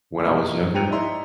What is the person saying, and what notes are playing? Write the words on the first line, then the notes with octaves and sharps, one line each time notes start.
when I was younger,
B2 G3 A#3 D#4
F3 G5 A#5 C#7 D#7 F7
D#4 E4 D5 E5 A#5 C6